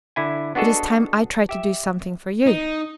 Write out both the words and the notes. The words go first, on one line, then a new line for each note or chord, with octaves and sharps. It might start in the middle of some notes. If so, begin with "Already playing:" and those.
"It is time I tried to do something for you."
D3 E4 G#5
B3 D4 F#4 G#4 A4 D#5
G4 E5
D#4